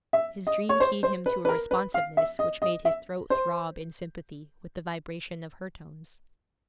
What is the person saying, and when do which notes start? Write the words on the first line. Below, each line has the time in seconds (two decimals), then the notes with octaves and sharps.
His dream keyed him to a responsiveness which made his throat throb in sympathy with the vibration of her tones.
0.13 E5
0.47 D#5
0.69 C#5
0.80 C5
1.03 C5
1.26 B4
1.45 B4
1.49 A#4
1.71 B4
1.94 F5
2.17 E5
2.39 D#5
2.62 D#5
2.85 E5
3.30 C5